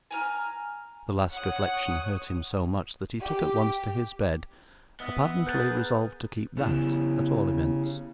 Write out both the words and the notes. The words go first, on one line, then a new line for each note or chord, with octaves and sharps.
The last reflection hurt him so much, that he took at once to his bed; apparently resolved to keep that, at all events.
G#5 A#5 F6
C#5 F#5 D#6
G4
B3 D#5 E5
G#4 A#4 B4 G#5 F#6 G6 A6
C#3 B3 E4 G4